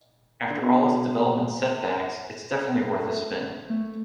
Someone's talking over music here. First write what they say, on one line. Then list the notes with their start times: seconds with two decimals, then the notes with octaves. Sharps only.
After all its development setbacks, it's definitely worth a spin.
0.50 D3
0.62 B2
2.93 A3
3.70 A3